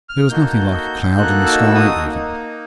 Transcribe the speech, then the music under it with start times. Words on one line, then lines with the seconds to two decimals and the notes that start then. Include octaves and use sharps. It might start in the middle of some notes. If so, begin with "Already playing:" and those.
There was nothing like a cloud in the sky even.
0.09 F6
0.30 A#3 D#4 F#4 A4 G6
1.17 A#3 D#4 F#4 A4 F#6
1.46 E6
1.75 D#6
2.04 A#3 D#4